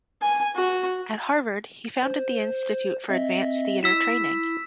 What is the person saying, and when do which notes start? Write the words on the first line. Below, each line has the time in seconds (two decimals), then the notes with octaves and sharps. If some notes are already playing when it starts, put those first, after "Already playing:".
At Harvard, he founded the Institute for Advanced Theater Training.
0.22 G#5
0.56 F#4
2.03 C5
3.10 C4 D#5 E5
3.83 E4 E6 B6 E7